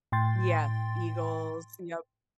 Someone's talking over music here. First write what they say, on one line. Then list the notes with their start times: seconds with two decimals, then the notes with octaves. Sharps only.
Yeah, Eagles, yup.
0.12 A2 G5 C6 A6